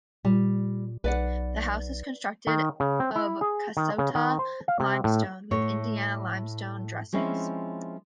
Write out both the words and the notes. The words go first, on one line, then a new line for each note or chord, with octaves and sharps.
The house is constructed of Kasota limestone, with Indiana limestone dressings.
A#2 G3
B1 B4 D5 F#5
D#3
C#3
C4
E4
G#4
D#3
C#3
D#3
C5
F5
C3
A2
A2 C#5
F3 G#3 C4 C#4 E4